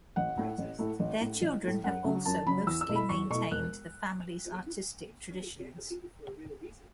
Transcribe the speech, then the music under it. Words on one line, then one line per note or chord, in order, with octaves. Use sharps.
Their children have also mostly maintained the family's artistic traditions.
A1 F#5
A2 A3 E4
A1
A2 A3 E4
A1
A2 A3
A1
A2 A3
F#2 F#5
C#3 F#3
F#2 A5
C#3 F#3 B5
E2 E6
E6
B2 A3 E4
B5
E2 C#6
B2 A3 E4 C#6
E1 F#6